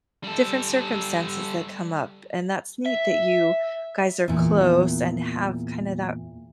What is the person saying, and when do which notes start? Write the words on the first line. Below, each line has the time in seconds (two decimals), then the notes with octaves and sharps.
different circumstances that come up, and that's neat that you guys are close and have kinda that
0.24 G3 A4
2.86 E5
4.28 E2 A#2